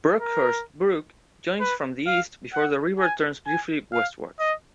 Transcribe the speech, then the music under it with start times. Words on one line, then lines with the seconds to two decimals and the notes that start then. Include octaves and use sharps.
Brockhurst Brook joins from the east before the river turns briefly westwards.
0.21 A#4
1.60 B4
2.07 F5
2.53 F#5
3.00 G#5
3.46 G#5
3.92 F5
4.40 D#5